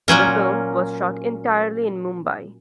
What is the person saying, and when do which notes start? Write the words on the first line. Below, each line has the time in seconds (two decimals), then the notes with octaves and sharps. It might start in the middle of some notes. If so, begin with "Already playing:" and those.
The film was shot entirely in Mumbai.
0.08 A#2 F#3 C#4 A#4